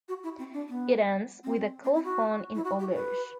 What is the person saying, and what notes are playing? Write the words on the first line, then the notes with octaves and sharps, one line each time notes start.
It ends with a colophon in Old Irish.
F#4
E4
C4
D4
B3
C4
C4
E4
F#4
E4
F#4
G4
B4